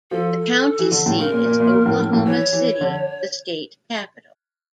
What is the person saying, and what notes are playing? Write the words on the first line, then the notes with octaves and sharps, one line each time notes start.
The county seat is Oklahoma City, the state capital.
F3 A4
E3
D3
A2
C#3 A#4
A#2
A#2
A#2
A#2
A2
A2
A2
E3 C#5
E3
D3